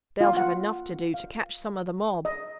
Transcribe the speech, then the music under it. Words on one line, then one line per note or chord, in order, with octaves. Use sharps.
They'll have enough to do to catch some of the mob.
F4
F#5
F5
D#5